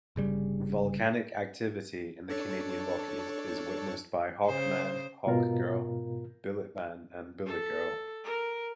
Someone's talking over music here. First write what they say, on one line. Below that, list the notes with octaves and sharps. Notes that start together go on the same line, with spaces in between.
Volcanic activity in the Canadian Rockies is witnessed by Hawkman, Hawkgirl, Bulletman and Bulletgirl.
G1 C#3 G3
D4 A4 C#5
C#3 C5
G#2 B2 F4 A#4
A4
A#4